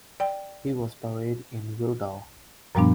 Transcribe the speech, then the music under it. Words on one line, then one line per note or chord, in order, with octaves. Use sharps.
He was buried in Wildau.
D5 G5
F#2 A#2 F3 G3 B3 D4